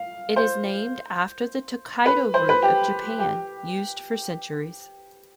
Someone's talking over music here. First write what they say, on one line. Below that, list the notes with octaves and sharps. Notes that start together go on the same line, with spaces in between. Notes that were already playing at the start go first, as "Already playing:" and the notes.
It is named after the Tokaido route of Japan, used for centuries.
Already playing: F5
C5
B4
C5
B4
G4
G4